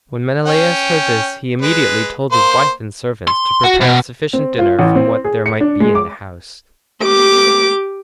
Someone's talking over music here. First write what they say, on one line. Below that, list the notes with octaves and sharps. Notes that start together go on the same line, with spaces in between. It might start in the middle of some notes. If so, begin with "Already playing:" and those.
When Menelaus heard this he immediately told his wife and servants to prepare a sufficient dinner from what there might be in the house.
C#4 G5
G#3 B4
A#3 C5 C6
C6
F#4
B2
C4
F4
A1
C4
G#4
C#7
D4
G#3
D6
G4 D6